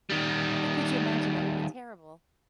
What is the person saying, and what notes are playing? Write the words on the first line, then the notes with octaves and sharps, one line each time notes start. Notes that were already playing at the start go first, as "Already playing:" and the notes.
and could you imagine? That would be terrible.
D#3 G3